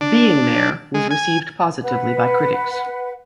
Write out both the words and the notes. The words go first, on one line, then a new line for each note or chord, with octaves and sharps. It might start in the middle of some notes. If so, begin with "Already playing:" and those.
"Being There" was received positively by critics.
D4
G#3
G#5
B4 F#5